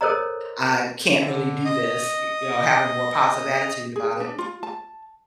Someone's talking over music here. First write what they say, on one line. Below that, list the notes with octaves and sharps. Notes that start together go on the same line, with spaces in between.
I can't really do this." Y you know, have a more positive attitude about it.
A4 A#4 C5 C#5 D#5 A#5
D3
D#5
G#4
D4
F4
A5